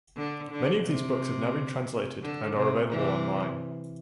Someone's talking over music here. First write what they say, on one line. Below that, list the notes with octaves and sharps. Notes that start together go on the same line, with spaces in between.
Many of these books have now been translated and are available online.
D3
D3
C3
D3
C3
C3 E3